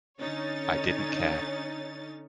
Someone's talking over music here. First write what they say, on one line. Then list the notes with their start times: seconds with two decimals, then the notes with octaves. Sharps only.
I didn't care.
0.21 D3 C#4 D#4 C#5 A6